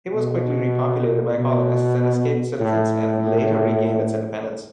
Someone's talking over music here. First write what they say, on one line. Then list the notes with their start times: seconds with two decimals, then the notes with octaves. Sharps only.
It was quickly repopulated by colonists and escaped citizens, and later regained its independence.
0.14 B2
1.38 B2
2.60 A2